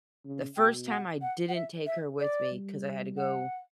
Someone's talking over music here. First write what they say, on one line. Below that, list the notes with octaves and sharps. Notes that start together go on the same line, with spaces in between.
The first time I didn't take her with me 'cause I had to go,
C#3
B2 G5
F#5
F#5
F#5
E5
E5
D5
G3
F#5